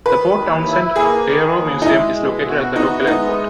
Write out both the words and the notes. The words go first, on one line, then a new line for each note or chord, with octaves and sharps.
The Port Townsend Aero Museum is located at the local airport.
D#3 B4
D#2
E4
A#3 G#4
D#3
D#2
D#4
G#3 E4
B2
F#4
B3 D#4
G#3 D#4